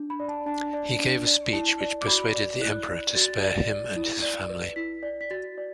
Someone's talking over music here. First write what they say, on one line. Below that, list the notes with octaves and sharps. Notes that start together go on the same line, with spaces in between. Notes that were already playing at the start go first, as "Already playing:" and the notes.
He gave a speech which persuaded the emperor to spare him and his family.
Already playing: D4
B5
D5
A5
D4 A5
D5
D4
D5
E4 A5
D5
D6
F#4 B5
D5
E4 F#6
D5
F#4 A6
A6
D5 A6
A6
D5
E4
D5
B4
E4 B6
D5
B6
F#4 A6
D5